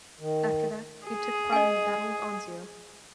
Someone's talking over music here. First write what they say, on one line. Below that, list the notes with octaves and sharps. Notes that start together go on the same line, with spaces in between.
After that he took part in the Battle of Anzio.
D#3
G#4
D#5 G#5